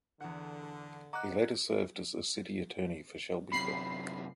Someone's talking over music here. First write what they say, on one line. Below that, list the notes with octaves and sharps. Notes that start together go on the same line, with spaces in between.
He later served as a city attorney for Shelbyville.
E2 D3 F#5
D#5 F#5 A#5 D6 F#6
F#2 C3 B5 C7